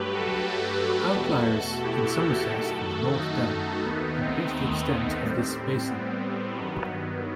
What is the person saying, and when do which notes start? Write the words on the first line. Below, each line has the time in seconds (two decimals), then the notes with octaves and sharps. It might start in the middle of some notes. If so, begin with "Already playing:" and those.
Outliers in Somerset and north Devon complete the extent of this basin.
Already playing: G2 F#3 A3 G4 B4
0.13 F#4 A4
1.14 E2 B2 A3
1.82 E4 G4
2.50 F#2 D#3 A3 F#4 A4
3.18 D#4 F#4
3.85 D#2 D#3 A3 B3 D#4
4.19 C4
5.20 A2 G3
5.87 B3
6.55 G2 D#3 F#3